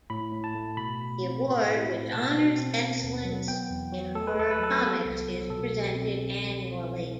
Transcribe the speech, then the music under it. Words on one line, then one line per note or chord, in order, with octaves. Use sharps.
The award, which honors excellence in horror comics, is presented annually.
A2 B5
A2
A5
A3
B2 B5
B2
C4
A2
A2
A3
B2 A5
B2
C4
B3
D#2
F#3
B3 G5
E2
F#3
A3 A4
B4
D#2 A4
B4
F#3 A4
B4
B3 A4
C2
F#3
B2 A4
B2
C4